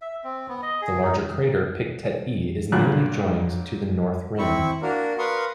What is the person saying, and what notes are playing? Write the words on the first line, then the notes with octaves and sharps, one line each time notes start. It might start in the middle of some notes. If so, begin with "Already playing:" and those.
The larger crater Pictet E is nearly joined to the north rim.
E5
C4
B3
D#5
G#4
D#4
G2 A#2 F#3 F#6
C4 E4 B5 C#6
A#3 D4 F#4 A#4
A#4 B4 F5 C6 C#6 D#6